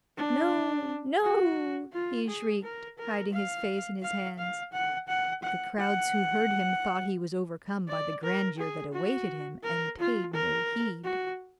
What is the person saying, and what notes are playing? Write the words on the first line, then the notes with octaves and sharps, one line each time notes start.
'No! no!' he shrieked, hiding his face in his hands; but the crowds who heard him thought he was overcome by the grandeur that awaited him, and paid no heed.
D4
F#4
F4
G#4
A#4
A#4
F5
F5
F5
F#5
F#5
F#5
F#5
D5
A#4
G#4
F#4
A#4
F4
A#4
F#4